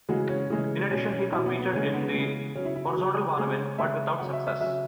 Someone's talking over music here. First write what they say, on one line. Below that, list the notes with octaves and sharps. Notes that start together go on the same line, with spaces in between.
In addition, he competed in the horizontal bar event, but without success.
C#3 E3 G#3 F#4
C#4
C#3 E3 G#3
B2 F#3 C#4
C#4
B2 F#3 E4
B3
B3
C#3 E3 G#3 C#4
B3
C#3 E3 G#3
C#3 F#3 C#4
E4
E4
F#4
C#3 F#3
C#3 G#3 G#4
C#5
C#3 G#3 E5
C#3 F#3 F#5
E5
E5
C#3 F#3 E5